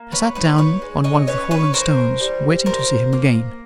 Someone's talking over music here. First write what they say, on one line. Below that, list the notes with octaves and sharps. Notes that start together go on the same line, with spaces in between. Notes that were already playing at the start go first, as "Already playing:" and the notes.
I sat down on one of the fallen stones, waiting to see him again.
Already playing: A#3
B4 C#5
D#4 B4 C#5
B4 C#5
G#3
C#5 D#5
C#4 B4 C#5
B4 C#5
E3 A#4 C5
G3
F3 A#4 C5
A#3